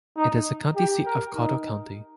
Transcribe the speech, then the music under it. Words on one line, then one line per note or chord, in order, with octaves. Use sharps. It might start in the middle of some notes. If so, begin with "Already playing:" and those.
It is the county seat of Cottle County.
D#4
G4
A#4
D#4